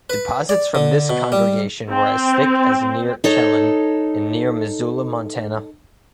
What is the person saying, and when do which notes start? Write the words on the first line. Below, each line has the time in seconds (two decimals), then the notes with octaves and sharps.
Deposits from this congregation were as thick as near Chelan and near Missoula, Montana.
0.10 B4
0.49 D5
0.75 D3
1.10 B2
1.32 G3
1.91 C4
3.24 D#4 A4 C#5